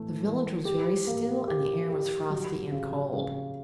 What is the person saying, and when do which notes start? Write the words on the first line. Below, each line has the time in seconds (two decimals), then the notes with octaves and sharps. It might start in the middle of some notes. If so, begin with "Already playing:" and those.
The village was very still, and the air was frosty and cold.
Already playing: E3 A3
0.24 E3
0.65 G4
1.07 A#3
1.48 G4
1.90 G4
2.30 F#3
2.72 C#3
3.13 C#3